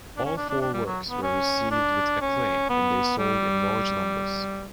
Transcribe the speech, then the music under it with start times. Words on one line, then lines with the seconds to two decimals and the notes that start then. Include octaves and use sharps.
All four works were received with acclaim and they sold in large numbers.
0.17 D4
0.25 C#4
0.37 D4
0.50 D4
0.61 D4
0.73 G3
0.86 F#3
1.10 B3
1.23 C#4
1.71 D4
2.21 C#4
2.69 B3
3.18 G3